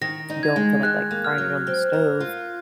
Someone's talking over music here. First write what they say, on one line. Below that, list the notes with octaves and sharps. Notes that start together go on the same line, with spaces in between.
don't feel like, like, frying it on the stove,
D#3 A#6
D#4
G#6
G#3
D#3 F#6
A#3
F6
F#3
C4
A#4
F4